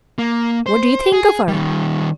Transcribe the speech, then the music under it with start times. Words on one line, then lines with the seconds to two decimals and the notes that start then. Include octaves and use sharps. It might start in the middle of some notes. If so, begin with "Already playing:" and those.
What do you think of her?'
0.18 A#3
0.66 C5
1.12 G#4
1.48 D#3 G3